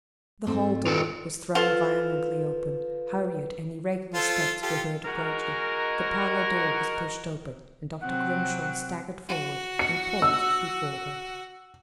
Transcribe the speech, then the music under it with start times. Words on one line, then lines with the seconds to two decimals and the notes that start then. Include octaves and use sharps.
The hall door was thrown violently open, hurried and irregular steps were heard approaching, the parlor door was pushed open, and Dr. Grimshaw staggered forward and paused before her!
0.47 G#2 A3 C4
0.87 F4 A4 B4
1.55 F3 F4 A4 B4
4.14 F4 A4 C5
4.63 F4 G4 A4
5.05 G#3 D#4 F#4 A#4
8.02 C3 F#3 C4 F#5
9.29 F#4
9.79 C#7
10.22 E6